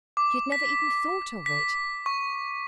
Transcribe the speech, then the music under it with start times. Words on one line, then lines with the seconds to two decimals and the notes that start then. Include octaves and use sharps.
She had never even thought of it.
0.17 D6
0.52 B6
1.46 B6
2.06 C#6